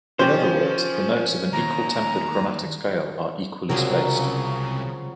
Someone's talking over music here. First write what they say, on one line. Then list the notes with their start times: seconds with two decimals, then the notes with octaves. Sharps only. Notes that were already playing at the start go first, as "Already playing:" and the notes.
In other words, the notes of an equal-tempered chromatic scale are equally spaced.
0.19 F3 C#4 G4 C5 G6
1.53 D#2 A#5
3.69 C2 C#3 F3 F#3 G#3 C4 A#4